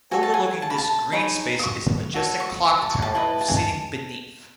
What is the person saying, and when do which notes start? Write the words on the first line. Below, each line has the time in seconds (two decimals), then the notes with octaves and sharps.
Overlooking this green space is a majestic clock tower with seating beneath.
0.11 F#4 A4 C#5 G#5
0.23 A5
0.34 G#5
0.62 A5
0.70 B5
0.78 A5
1.12 D#4 G#4 C#5 B5
1.59 D#6
1.63 C#6
2.14 F#4 A4 C#5
2.40 C#6
2.65 C#6
2.78 A5
2.90 C#6
3.02 A5
3.15 E4 B4 D#5 A5
3.41 A5
3.48 G#5
3.57 A5